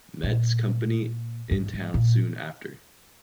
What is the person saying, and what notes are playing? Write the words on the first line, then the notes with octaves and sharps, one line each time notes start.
Metz Company in town soon after.
A#2
G#2
G#2
A#2